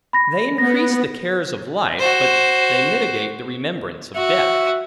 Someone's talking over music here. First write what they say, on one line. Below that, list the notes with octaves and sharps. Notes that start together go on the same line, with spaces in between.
They increase the cares of life; but they mitigate the remembrance of death.
B5 A#6
B3 A#6
F#4 C5
F#4 E5